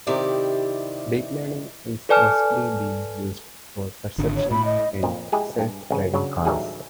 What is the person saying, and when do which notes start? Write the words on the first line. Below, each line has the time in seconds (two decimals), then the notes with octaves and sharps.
Deep Learning is mostly being used for perception in self driving cars.
0.07 C3 D#3 E4 G4 D5
2.09 A4 B4 D5 G#5 A5 F6
4.18 G#1 D3
4.36 C#5
4.51 A2 B5
4.65 D#5
5.03 F2 A#2 F3
5.32 G#3 E4 G4 G#4
5.59 G2
5.90 A1 C#3
6.14 C#3 F#3 D4
6.45 A1 D2 F#3 G3 D#4 G#4